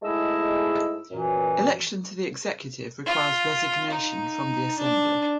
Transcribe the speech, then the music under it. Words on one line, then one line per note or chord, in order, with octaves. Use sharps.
Election to the executive requires resignation from the Assembly.
G#2 G#3 A3 E4 D#5 E6
F#2 A#2 E3
F4
D#4
D4